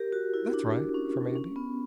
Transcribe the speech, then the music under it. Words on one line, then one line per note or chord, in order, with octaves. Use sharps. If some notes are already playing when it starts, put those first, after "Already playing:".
"That's right," from Andy.
Already playing: G4 A#4
F#4
E4
D4
C#4
C#4
B3